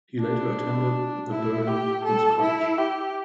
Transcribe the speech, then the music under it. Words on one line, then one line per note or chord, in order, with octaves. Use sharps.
He later attended the Durham Pitmans College.
D4
E4
G4
A4
E4
G4